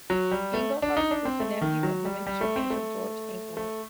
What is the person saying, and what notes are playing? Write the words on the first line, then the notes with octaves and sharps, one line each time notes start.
Engleheart was the nephew of the miniature painter George Engleheart.
F#3
G3
A3
D4
D#4
D4
C4
A3
D#3
F#3
G3
G3
A3
C4
A3
A3